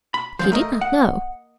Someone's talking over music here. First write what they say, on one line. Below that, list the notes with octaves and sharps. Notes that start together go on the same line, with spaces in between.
He did not know.
B5
E2 E3 F3 C5
A3 A#3 A#4 D#5
F#5